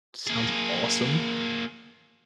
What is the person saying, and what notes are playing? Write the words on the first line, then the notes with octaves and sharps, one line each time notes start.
Sounds awesome.
A#3 G#4